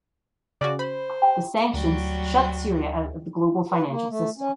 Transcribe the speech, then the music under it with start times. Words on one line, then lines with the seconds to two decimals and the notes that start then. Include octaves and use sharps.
The sanctions shut Syria out of the global financial system.
0.61 C#3 C#4 F#4 D5
0.79 C5 B5
1.74 D2 F#3 G3 F#4
3.72 B4
3.88 A#3
4.09 A3
4.37 C#4